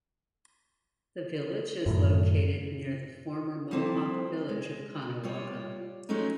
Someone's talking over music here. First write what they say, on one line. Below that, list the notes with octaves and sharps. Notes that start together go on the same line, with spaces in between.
The village is located near the former Mohawk village of Caughnawaga.
F#2 A2 D#3
F3 G3 A#3 C4 E4 A4
G#3
G3 F4 C#5
F3 F#3 G#3 A3 C#4 D#4